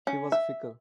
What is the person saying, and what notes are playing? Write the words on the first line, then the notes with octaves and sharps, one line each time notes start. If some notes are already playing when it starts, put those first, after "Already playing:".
He was fickle.
C#4
E5